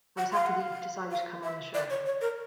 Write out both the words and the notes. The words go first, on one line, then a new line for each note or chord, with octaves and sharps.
I was happy that you decided to come on the show.
F#5
F5
F#5
F5
F5
E5
D5
C#5
C#5
A#4